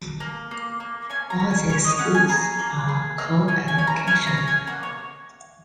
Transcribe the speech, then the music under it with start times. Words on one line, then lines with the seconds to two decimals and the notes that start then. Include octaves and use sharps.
All these schools are co-educational.
0.20 A#3
0.51 A#3
0.80 A#3
1.10 C#4 G#5
1.30 A#5
1.40 C#4
1.50 G#5
1.69 C#4 C#5
1.84 D#5
1.99 C#4 F#5
2.14 G#5
2.29 G#4 A#5
2.59 A#3
2.88 G#4
3.19 A#3
3.48 C#4 G#5
3.68 G#5
3.78 C#4 G#5
3.87 A#5
4.07 C#4 G#5
4.27 A#5
4.38 C#4
4.48 G#5
4.67 A#3 F#5
4.83 C#5